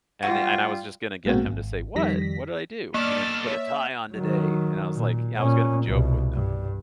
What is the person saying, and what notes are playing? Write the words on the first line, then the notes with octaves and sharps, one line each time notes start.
And it I was just gonna get him to say, "What? What did I do?" You know, and put a tie on today, and I was like, you know, I was gonna joke with him,
G3 F4 F#4
A#1 G#2 B2 A#3 C4 F#4
G#1
F2 D#3 G3 A#6 B6
A#3 B3 A4 D5 D6 F6 A6
C#5 E5
D#3 F#3
A#2
A#2 C#4
C2 B2
G2